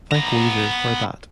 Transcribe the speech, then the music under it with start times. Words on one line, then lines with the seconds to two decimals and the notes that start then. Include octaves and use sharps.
Thank Weezer for that.
0.11 B3 A#5